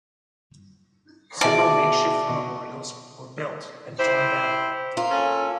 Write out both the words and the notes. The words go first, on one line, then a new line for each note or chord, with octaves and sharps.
Several makeshift memorials were built and torn down.
B2 G#4 D5 E5 G#5 A5
B2 D#5 C#6
E4 G4 C5
A#3 F4
C#4 A4